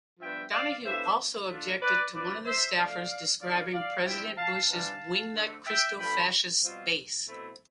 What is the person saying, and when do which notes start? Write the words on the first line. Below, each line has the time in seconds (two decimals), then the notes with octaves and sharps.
Donohue also objected to one of the staffers describing President Bush's "wingnut Christofacist base".
0.20 G2 F3 B3 D4 F4 E5 G5
0.52 D5 F5
0.84 A2 E3 B3 D4 F4 C5 E5
1.49 D3 A3 D4 F4
1.81 B4 D5
2.13 G2 F3 C4 E4 B4 D5
2.45 C5 E5
2.76 C3 F3 A3 D5 F5
3.41 D3 F3 C4 E4 D5 F5
3.73 D5 F5
4.05 G2 F3 C4 E4 E5 G5
4.37 F5 A5
4.69 C3 E3 G3 D4 F4 F5 A5
5.34 D3 A3 C4
5.66 E5 G5
5.98 G2 F3 A3 G5 B5
6.62 B2 G3 C4 F4
7.27 B2 A3 C4 E4